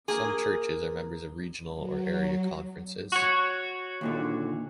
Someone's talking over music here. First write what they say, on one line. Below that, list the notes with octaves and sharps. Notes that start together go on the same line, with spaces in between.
Some churches are members of regional or area conferences.
A#3 G#4
F#3
F#4 C#5
D#2 A#2 D3